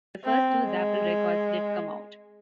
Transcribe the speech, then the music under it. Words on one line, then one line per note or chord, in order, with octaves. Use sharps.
The first two Zapple records did come out.
C4
G#3